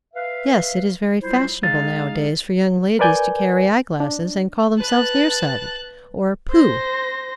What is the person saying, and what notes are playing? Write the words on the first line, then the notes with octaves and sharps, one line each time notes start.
Yes, it is very fashionable now-a-days for young ladies to carry eye-glasses, and call themselves near-sighted!" Or, "Pooh!
B4 E5 F5
F#3 G3 E4 F4 C5
G#3 D#4 F5 A6
A#4 B4 D5 G#5 G6
D4
B4 A5 F#6
C5 A#6